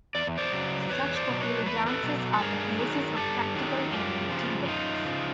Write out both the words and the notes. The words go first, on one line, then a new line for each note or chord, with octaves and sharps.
Such popular dances are the basis of practically every 'Tea Dance'.
E2 D5
C5 D5
C#3 F#3
E2 B4 C#5
C5 D5
B2 F#3
B4 C#5
E2 B4
A#4
A4 B4
B2 F#3
A4
G2 G#4 A#4
D#3 F#3
G2 G4 A4
D#3 F#3
F#2 F4 G4
C#3 F3
F#2 D#4 F4
C#3 F3